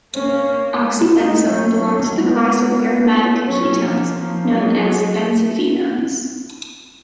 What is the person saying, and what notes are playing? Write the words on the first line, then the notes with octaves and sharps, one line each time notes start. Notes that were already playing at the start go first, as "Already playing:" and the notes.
Oxybenzone belongs to the class of aromatic ketones known as benzophenones.
A#3 C#4
G#3
G#3 D#4
F#3 C#4
F#3
G#3 B3
F#3 C#4
F3 A#3
F3
F#3 G#3
F#3